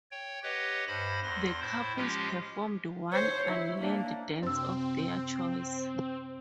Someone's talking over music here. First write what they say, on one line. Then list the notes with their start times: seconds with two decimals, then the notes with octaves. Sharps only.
The couples performed one unlearned dance of their choice.
0.11 C#5 G5
0.43 G4 B4 C#5 D#5 F#5
0.88 G2 C5 B5 A#6
1.23 E2 C6 A#6
1.60 A2 E4 C5
1.96 F3 G#3 C#4 F4 G4
3.13 C5 C#5
3.47 E4
3.79 A#3 D4
4.42 F#2 C3 C4 E6